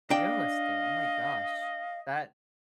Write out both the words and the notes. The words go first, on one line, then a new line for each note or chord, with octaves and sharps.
real estate, oh my gosh, that
D4 D#5 F5 G5